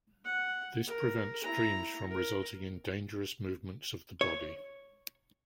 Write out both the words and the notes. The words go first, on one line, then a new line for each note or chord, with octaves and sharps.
This prevents dreams from resulting in dangerous movements of the body.
F#5
A#4
E4 A#5
A#4
C#5